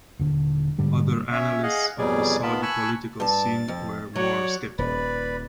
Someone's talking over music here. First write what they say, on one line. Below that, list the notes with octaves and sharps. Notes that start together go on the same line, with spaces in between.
Other analysts of the Saudi political scene were more skeptical.
D#1 D3
G#2 D3 G3
C#4 C#5 E5
G#4 D#5 F5 F#5
F2 B2 F#3 G3 G#4 D5
D#3 B3 F4 A5 B5
G#5 A5 B5 C#6 E6 F#6
G2 A5 A6
F2
F#3 C#5 D5 F#5
D#1 B4 D5 B5